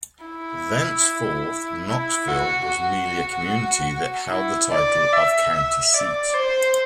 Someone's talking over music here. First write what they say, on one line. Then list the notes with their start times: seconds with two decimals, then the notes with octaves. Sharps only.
Thenceforth, Knoxville was merely a community that held the title of county seat.
0.25 E4
1.87 E4
2.28 F#4
2.68 F#4
4.31 E4
4.72 D5
5.13 E5
5.53 E5
5.94 D5
6.34 C5